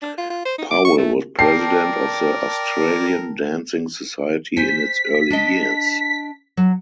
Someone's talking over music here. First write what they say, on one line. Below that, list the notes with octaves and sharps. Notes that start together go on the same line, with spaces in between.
Powell was president of the Australian Dancing Society in its early years.
D4
F4
F4
C5
D#4
D6
C#6
A3
A#4 D5 G5 A5 C7
C5 G#5 B6
D4 D#5
F#3